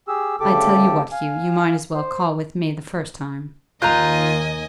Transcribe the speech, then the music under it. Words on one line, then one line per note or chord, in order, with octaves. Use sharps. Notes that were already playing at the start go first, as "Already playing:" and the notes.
"I tell you what, Hugh, you might as well call with me the first time."
G4 G#4 E6
D2 C#3 G4 A4 D6
F5 G#5
C5
D#2 D#3 F4 D#5 G#5 A#5 F#6 G6